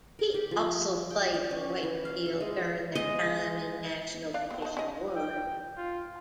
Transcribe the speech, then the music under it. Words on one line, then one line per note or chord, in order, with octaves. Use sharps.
He also played for Wakefield during their time in National Division One.
A#4
G4
F3
G5
D5
C#4
E3
F5
A4
G#3
G#3 D#5
D4 D5 F5
B3 C4
D#4 A5
C#4 D#5
G5
F4